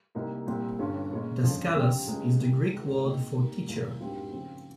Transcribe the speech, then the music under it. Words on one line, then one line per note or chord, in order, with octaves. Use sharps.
Daskalos is the Greek word for teacher.
C2 C3 G3 A#3 D#4
C2 A#2 G3 C4
G1 G2 G3 C#4 F4
A#2 G#3 C#4
G1 F2 C#3 F3
C#3 F3 C4 G4
C#2 C#3 G3 C#4 G#4
C2 C3 G3 C4
G#1 G#2 D#3 G#3
A#2 G#3 C4 D#4
G#2 G3 A#3
C2 A#2 F3
G#1 G2 G3 C4 F4
C#3 F3 C4